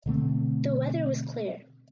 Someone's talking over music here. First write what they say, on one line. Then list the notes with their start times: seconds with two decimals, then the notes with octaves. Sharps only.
The weather was clear.
0.06 B2 D3 A3 C4